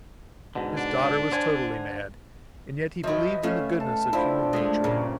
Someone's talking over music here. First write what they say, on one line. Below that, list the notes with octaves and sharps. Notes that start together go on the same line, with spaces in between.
His daughter was totally mad--and yet he believed in the goodness of human nature.
G#2 B2 D3
D4
D3 C5 G#5
F3 F#3 B4 D#5 E5
A3 C#4 E5 F5
A4 A5
F3 D4 E4 E5 G5
G#3 A3
G2 A#2 C#3